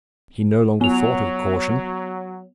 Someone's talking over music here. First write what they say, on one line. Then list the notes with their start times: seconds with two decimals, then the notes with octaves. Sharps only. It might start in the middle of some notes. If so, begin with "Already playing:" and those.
He no longer thought of caution.
0.81 F#3 B3 F7